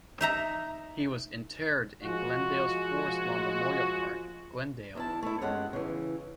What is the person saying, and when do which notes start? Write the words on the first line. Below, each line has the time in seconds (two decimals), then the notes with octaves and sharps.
He was interred in Glendale's Forest Lawn Memorial Park, Glendale.
0.21 D#4 E5 A#5
2.03 F3 G#3 F4 F#4
4.95 E2 E4 A5
5.23 A3 E4
5.41 G2 G#3 C#4 F#5
5.73 C#3 E3